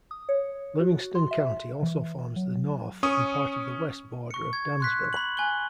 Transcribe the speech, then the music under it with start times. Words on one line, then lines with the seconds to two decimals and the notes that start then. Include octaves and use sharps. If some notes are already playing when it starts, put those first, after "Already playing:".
Livingston County also forms the north and part of the west border of Dansville.
0.11 D#6
0.29 C#5
0.80 F#4
1.15 C6
1.31 E5
1.82 E3
2.36 F#3
3.03 C#4 C#6 D#6
4.31 C#6 C#7
4.53 G#6
4.80 C6 F#6 B6
5.13 B5 F#7
5.37 G#5 F#6 G7